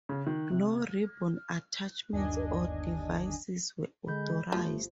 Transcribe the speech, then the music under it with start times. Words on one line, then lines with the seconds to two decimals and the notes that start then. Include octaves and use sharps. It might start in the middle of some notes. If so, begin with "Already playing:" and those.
No ribbon attachments or devices were authorized.
0.09 C#3
0.27 D#3
0.51 C3
2.13 G1 D#2 D4 D#5 G#5
4.08 D3 G#3 B5 G6
4.52 G1 F3 A3